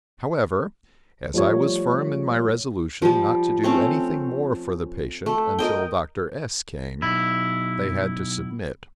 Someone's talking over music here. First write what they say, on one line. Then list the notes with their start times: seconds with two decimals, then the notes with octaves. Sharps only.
However, as I was firm in my resolution not to do any thing more for the patient until Dr. S-- came, they had to submit.
1.34 F3 G3 A3 F4 C#5
3.02 F3 G3
3.63 A3 C4 C#4
5.26 A3
5.59 A#4 D#5 G5
7.02 B1 E4